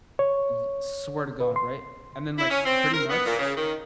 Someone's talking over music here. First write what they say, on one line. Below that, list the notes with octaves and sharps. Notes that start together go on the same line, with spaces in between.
Y swear to God, right? And then like, pretty much,
C#5
B4
C6
E4
C#4
C4
A#4
B3
A#2
C#3
D#3